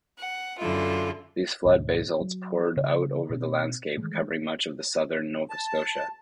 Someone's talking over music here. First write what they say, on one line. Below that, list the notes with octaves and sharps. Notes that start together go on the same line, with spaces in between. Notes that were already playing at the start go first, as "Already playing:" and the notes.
These flood basalts poured out over the landscape, covering much of southern Nova Scotia.
F#5
F#2 D3 E4 F4
D2 G#2 B2
F#3
C#3
B2 A3 C4
D#3 E3 G#3 A3
A5